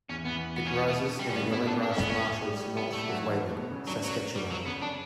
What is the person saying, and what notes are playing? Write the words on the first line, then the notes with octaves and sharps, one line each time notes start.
It rises in the Yellow Grass Marshes north of Weyburn, Saskatchewan.
E2 E3 C#4
E2 E3 B3
B3
C#4
B3
A3
D3
G3
G2 G3 C#4
B3
C#3 C#4
B2 B3 E4
B2 B3 D4
A3 D4 A4
C#4
B3
C#4
G3 G4
B3
A3
F#3 F#4
E3 E4
A2 A3
A2 A3
B2 B3
C#3 C#4
D3 F#3 D4
F#3
G3
F#3
C#3 B3 C#4
D4